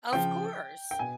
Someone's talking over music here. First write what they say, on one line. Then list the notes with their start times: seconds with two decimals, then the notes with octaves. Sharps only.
Of course.
0.12 C#3 F3 G5
0.91 G5
0.99 B2 G#5